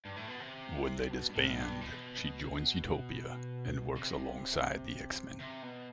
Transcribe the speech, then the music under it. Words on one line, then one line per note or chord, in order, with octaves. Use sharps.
When they disband she joins Utopia and works alongside the X-Men.
G2
A2
B2
C3
B2
G2
A2
G2
B2
C3
C3
B2